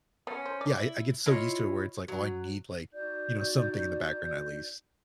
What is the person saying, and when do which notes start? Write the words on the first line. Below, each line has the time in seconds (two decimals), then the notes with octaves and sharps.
Yeah. I I get so used to it where it's like, oh, I need, like, you know, something in the background at least.
0.27 B3 C#4
0.45 C5
0.61 D5
0.77 E4
1.26 E4 F4 C#5 D#5
2.08 F#3
2.93 D#4 F#4 D5 G6